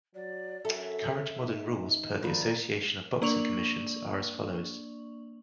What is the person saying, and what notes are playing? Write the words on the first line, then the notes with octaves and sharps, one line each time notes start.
Current modern rules per the Association of Boxing Commissions are as follows.
F#3 D5
F#2 A4 E5
D#4
D#3 F3 B4 D5
A#3 D4 D5 C#6 F7 F#7